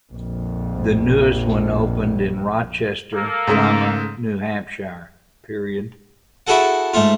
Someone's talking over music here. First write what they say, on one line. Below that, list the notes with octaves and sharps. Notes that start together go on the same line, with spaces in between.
The newest one opened in Rochester, New Hampshire.
A#1 F2
A#3 A4
G#2 C#3 A3
E4 F#4 G#4 A4 F#5
G#2 A3 F4